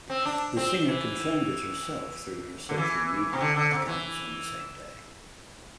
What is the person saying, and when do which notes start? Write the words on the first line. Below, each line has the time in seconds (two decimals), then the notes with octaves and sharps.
The singer confirmed it herself through her social media accounts on the same day.
0.10 C4
0.25 D4
0.57 C4
0.89 E3
2.69 D3
2.78 E3
3.33 C3
3.41 D3
3.56 D3
3.72 C3
3.88 E3